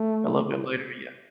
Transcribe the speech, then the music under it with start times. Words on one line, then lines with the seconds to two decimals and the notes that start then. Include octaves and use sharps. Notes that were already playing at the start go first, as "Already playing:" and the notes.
a little bit later. Yeah.
Already playing: A3